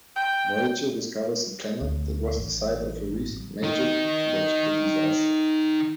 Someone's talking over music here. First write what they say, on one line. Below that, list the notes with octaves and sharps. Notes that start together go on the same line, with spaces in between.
"Voyager" discovers a planet that was the site of a recent major ecological disaster.
G5
D2
A1
D#3 D#4